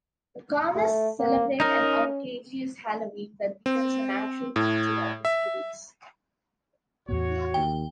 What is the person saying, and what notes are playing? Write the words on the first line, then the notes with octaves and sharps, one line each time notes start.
The Conners celebrate an outrageous Halloween that becomes an annual feature of the series.
A3
A#3
C#4 D#4 A#4
C4
A2
E5
E2 A2 B3 F#4 C#5
D#2 G5